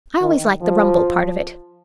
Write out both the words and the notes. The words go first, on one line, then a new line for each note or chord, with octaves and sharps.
I always like the rumble part of it.
D#3
F3